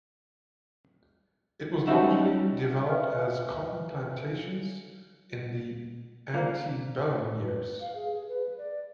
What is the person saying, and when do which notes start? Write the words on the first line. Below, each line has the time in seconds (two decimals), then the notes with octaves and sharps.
It was largely developed as cotton plantations in the antebellum years.
1.87 G3 C#4 D#4 F#4 E5 F#5
2.88 B4 C5 E5 F5 G#5 F6
6.34 A#3 F4 C5 D5
7.42 B4
7.80 F5
7.95 G#4
8.12 G#4
8.29 B4
8.58 D5